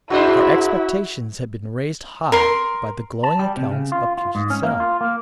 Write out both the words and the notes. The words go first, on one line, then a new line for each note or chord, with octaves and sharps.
Our expectations had been raised high by the glowing accounts of Puget Sound.
G#2 D4 E4 F#4 C5
A#4 C6
A5
G3
C3
C#3
F4
F4
G#2
C#4
A#3
F4
A#3